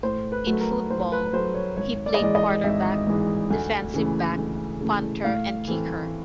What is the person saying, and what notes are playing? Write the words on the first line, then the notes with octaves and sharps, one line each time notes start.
In football, he played quarterback, defensive back, punter, and kicker.
A2 C5
B4
F#3 A3
A#4
A2 C5
B4
F#3 A3 C5
C#5
G#1 C#5
D5
D#5
G#2 E3 G#3 D5
D#5
G#1 E5
G#2 E3 G#3
D2 G#5
C#3 E3 A3
D2
C#3 E3 A3
A2 F5
E3 A3 C4